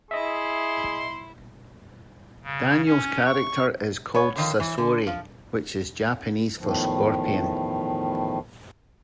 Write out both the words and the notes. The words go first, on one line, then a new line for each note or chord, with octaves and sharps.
Daniel's character is called Sasori, which is Japanese for Scorpion.
E4 G#4 D#5 E5 C6
C#3
C#4
C#6
B3 C#5
D3 D#3 F3
E3
D3
F3
E2 A2 D#3 F3